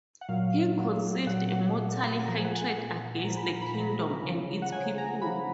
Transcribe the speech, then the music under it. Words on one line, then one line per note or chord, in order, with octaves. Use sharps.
He conceived a mortal hatred against the kingdom and its people.
F#5
A#2 F#3 F5
A#2 F#3
A#2 F#3 F#5
A#2 F#3
A#2 F3 A#5
G#5
F#5
G#5
A#2 F3
A#2 F3 A#5
B5
A#5
B5
A#2 F3 A#5
C#3 F3
F#5
C#3 F3 G#5
A#5
C#3 F3 B5